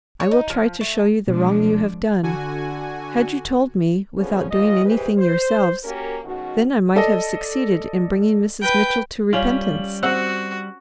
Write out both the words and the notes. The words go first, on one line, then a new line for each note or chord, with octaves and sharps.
I will try to show you the wrong you have done.--Had you told me without doing anything yourselves, then I might have succeeded in bringing Mrs. Mitchell to repentance.
C#5
D#4
F3
A3
B2 F3 G#3 D4
D3 F#4 G#5
D3 F3 F#3 B3 C#4 G#4
D#2 A#2 E3 F4 D#5
E3 G#3 G4 G#4 B4 C5
C5
A#3 C#4 F#4 G4 A#4
B2 D#3 G#3 C#4 F#4
A4 D5 D#5
B4 G5
G3 C#4 F4 F5
C4 F#4 F#5 E6 F#6